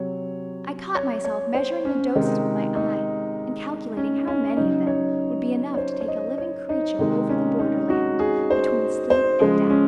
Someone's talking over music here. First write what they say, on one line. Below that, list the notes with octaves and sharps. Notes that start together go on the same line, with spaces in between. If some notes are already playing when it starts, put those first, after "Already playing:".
I caught myself measuring the doses with my eye, and calculating how many of them would be enough to take a living creature over the border-land between sleep and death.
Already playing: C3 F#3 C#5
C#5
C#5
C5
C#4
C3 D#3 G#3 D#4
D#4
C#4
C#4
C#3 F#3 D#4
C#5
C#5
C5
C#5
D#5
C#5
D#4
C3 D#3 G#3 D#4
C#4
D#4
F#4
G#4
C5
C5
C#3 F3 G#3 G#4
C#4